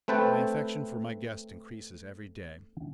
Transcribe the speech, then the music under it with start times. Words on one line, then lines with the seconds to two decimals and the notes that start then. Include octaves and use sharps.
My affection for my guest increases every day.
0.08 A3 C4 B4 G5 A5